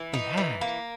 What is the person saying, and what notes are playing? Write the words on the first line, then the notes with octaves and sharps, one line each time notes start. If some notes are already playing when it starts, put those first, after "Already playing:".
They had!
Already playing: E3
D#4
E3
A#3